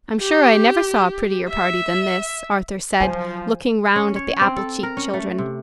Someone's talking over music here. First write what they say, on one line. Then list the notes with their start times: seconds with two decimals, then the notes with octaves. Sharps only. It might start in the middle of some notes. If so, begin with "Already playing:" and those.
"I'm sure I never saw a prettier party than this," Arthur said, looking round at the apple-cheeked children.
0.20 G4
1.49 E5
3.00 F3 F#3 C5 G#5
3.96 C#4
4.16 C#5
4.41 C4
4.56 A4
4.83 A#4
4.97 C#4
5.14 A3
5.38 C3